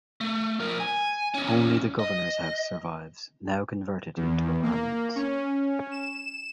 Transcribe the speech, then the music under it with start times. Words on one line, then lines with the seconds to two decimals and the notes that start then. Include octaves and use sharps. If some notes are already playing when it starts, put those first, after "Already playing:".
Only the governor's house survives, now converted into apartments.
0.21 A3
0.60 F3 A#4
0.80 G#5
1.34 E2 C#4
1.99 D#5
4.17 E2
4.63 A#3
5.16 C#4
5.91 E7